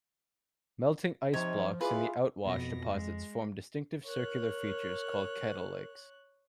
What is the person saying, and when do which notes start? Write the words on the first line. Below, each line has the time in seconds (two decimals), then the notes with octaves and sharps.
Melting ice blocks in the outwash deposits formed distinctive circular features called kettle lakes.
1.34 C3 F3 D#4 C#5
1.81 E4 F4 G#4 B4 D5
2.46 F2 B2 A#6
2.94 G#3
4.05 A#4 C#5 F#6